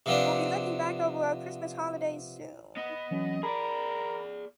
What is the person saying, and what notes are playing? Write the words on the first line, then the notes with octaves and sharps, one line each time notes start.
We'll be looking back over our Christmas holidays soon.
C3 F3 B3 D4
B3 D#5
E3 F#3 C#4
G#4 A#4 D5 B5